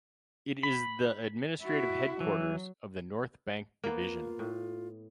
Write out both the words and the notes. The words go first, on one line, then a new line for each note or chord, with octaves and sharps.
It is the Administrative headquarters of the North Bank Division.
B5
E4 F#4
E3 F#3
A#3 B3
F4
A2